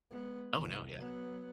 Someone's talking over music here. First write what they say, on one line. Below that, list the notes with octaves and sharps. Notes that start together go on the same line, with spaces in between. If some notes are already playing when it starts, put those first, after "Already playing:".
Oh no, yeah.
G#3 B3
C2
F#3 B3